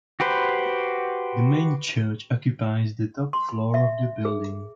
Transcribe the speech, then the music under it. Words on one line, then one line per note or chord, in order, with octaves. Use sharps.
The main church occupies the top floor of the building.
F#4 G4 B4 C5
C6
B5
E5
G#4